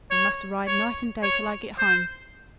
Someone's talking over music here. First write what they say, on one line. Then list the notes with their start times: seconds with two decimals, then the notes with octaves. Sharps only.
I must ride night and day till I get home.
0.11 C#5
0.67 C#5
1.23 C#5
1.79 C5